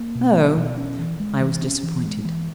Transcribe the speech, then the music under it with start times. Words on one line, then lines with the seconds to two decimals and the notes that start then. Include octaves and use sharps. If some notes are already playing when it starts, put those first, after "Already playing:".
"Oh!" I was disappointed.
Already playing: A#3
0.15 B2
0.37 F#3
0.57 B2
0.78 C#4
0.99 E3
1.20 G#3
1.40 E3
1.62 C#4
1.83 E3
2.03 G#3
2.25 E3